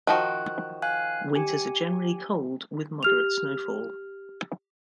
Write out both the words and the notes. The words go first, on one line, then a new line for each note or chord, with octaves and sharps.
Winters are generally cold with moderate snowfall.
D#3 F3 F#4 F#6
F5 G#5 F#6
G4 G#5
G4 F6 F7